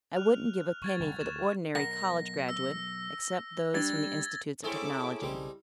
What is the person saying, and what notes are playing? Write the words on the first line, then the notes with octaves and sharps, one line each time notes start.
I wouldn't give a penny for the ordinary college graduate, except those from the institutes of technology.
F6 F#6 F7
C#6 G#6 A6
F#1 C2 D3
D2 E7
B1 A#4 F#5 A#6
E6
G3 D4 G#6 A6
A3 C4 C#4 E4 G#4 A4 D6
B1 C#3 G3 C4 D#4